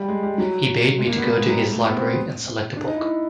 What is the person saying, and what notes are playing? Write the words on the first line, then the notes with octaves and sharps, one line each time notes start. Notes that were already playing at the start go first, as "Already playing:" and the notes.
He bade me go to his library and select a book.
Already playing: G3
G#3
G3
F#3
G#3
A#3
B3
A#3
G#3
F#3
G3
A3
B3
C4
D4
D#4
E4